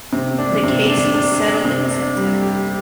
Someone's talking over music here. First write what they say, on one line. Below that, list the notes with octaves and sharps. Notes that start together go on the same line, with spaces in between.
The case was settled in September.
C3
D4
C3
D4
D4
D4
C3
D4
G3
G4